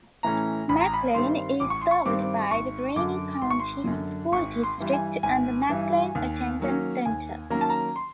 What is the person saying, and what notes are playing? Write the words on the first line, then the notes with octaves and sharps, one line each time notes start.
McLain is served by the Greene County School District and the Mclain Attendance Center.
A2 E3 A3 C#4 A#5
A1 B5
A#5
B5
G2 D#3 G3 C4 C6
A1 D6
C#6
C6
C#6
G2 D#3 G3 C4 D6
G#1 C#6
F#2 D3 D6
G#1 C6
C#6
C6
F#2 D3
G#1 C#6
C6
G2 E3 G3
G#5
G#1 G#5
G2 E3 G3
D#2
D#3 F#3 A#3 C#4
D#2 G#5
D#3 F#3 A#3 C#4 A#5
A5
A#5
C6